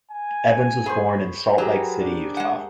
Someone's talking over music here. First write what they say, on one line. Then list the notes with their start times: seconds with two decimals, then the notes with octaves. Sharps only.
Evans was born in Salt Lake City, Utah.
0.11 G#5
0.86 G#4 C5 C#5 B5
1.58 F#3 G4 G#4 A#4 B4
1.99 D4
2.37 G#3 F#5